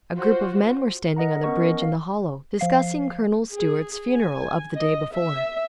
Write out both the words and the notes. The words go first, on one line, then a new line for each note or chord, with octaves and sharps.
A group of men were standing on the bridge in the hollow, discussing Colonel Stuart's funeral of the day before.
F4 F#4 C5
A#4 D#5 F#5 A#5
B3 C#4 A#4 D#5 C#6
F5
F3 F5 C7
G#4
G#5
D#5
E5